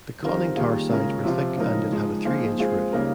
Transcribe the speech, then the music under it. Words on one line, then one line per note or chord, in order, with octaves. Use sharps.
The conning tower sides were thick and it had a three-inch roof.
D#3 G3 C4 F4 A#4
D#3 G3 A#3 F4 G#4
C#3 G#3 C#4 F4 A#4
C3 F3 C4 F4
C#3 F3 G#3 D#4 A#4
F3 G#3 D#4
F3 A#3 D#4 G#4 C5
G#3 C4 F4 G#4 C5
C#3 G3 A#3 D#4 A#4